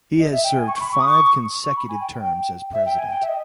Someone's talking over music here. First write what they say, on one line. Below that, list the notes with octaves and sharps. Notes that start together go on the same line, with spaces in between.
He has served five consecutive terms as president.
D#5
E5
G5
G#5
C#6
B5
C#6
D#6
C#6
C#6
B5
G#5
G5
E5
G5
G#5
G5
E5
D#5